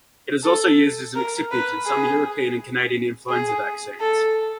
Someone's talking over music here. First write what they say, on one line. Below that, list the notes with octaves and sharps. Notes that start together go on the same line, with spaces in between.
It is also used as an excipient in some European and Canadian influenza vaccines.
A4
A#4
B4
G#4
G#4
A4